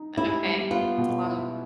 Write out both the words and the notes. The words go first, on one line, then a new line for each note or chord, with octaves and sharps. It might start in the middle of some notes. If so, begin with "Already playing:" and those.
Eh okay, that's a long
Already playing: D#4
E4 G4
G3
B3 F4
B2
E4